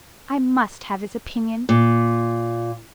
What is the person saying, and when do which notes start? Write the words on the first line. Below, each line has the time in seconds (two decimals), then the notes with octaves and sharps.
I must have his opinion.
1.69 A#2